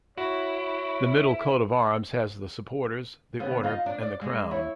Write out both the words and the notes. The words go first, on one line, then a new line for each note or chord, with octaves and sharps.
The middle coat of arms has the supporters, the order and the crown.
E4 F#4 C#5
D3 B3 C#4
D#4 F4
D4 D5
D5
G#3
E4 C#5